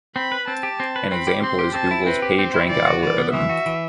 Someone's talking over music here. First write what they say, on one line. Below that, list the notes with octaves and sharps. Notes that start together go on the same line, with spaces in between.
An example is Google's PageRank algorithm.
C4 B5
B4
C4 A5
G4
C4
B4
C4 B5
G4
C4 C6
G4
C4 A5
E4
C4 B4
G4
C4 C5
E4
E3 D5
F#4
E3 D5
B3
E3 E5
F#4
E3